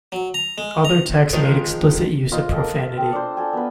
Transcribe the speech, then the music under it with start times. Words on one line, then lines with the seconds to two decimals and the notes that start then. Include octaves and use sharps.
Other texts made explicit use of profanity.
0.12 F#3
0.34 A#5
0.58 G#3
0.85 A#5
1.33 D#3 F3 G#3 A#4
2.32 D#4 F4 C5 D#5
2.53 A4 A#4
2.97 C4 A4
3.13 D4 C5
3.37 A4 G#5
3.53 B3 B4